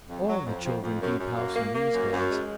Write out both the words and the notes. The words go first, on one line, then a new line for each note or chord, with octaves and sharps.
All the children keep house in these days.
F2
F#3
F2
F2
F2
F#2
F#2
A#3
A#3
A#3
F#2
F#2
G#3